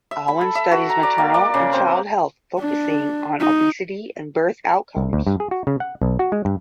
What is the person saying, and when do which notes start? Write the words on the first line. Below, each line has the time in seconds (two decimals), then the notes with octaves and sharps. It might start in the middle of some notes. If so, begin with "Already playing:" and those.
Alwan studies maternal and child health focusing on obesity and birth outcomes.
0.11 E5
0.28 B5
0.41 A4
0.55 E5
0.71 F#4
0.89 A#5
1.03 D5
1.18 A#3
1.34 D5
1.54 C#3
1.73 C4
2.59 D4
3.40 D#4
4.97 C2
5.13 D2
5.27 G2
5.40 G#4
5.51 F#4
5.67 C#3
5.80 F#5
6.02 B1
6.19 F#4
6.32 G#3
6.45 G2